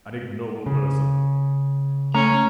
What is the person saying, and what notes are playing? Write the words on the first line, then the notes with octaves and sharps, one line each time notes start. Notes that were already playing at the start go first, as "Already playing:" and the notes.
An ignoble person!
C#3
A3 C#4 A#5